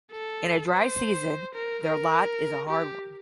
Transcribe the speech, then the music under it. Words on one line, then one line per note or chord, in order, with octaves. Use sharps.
In a dry season their lot is a hard one.
A4
C5
A#4
A#4
G4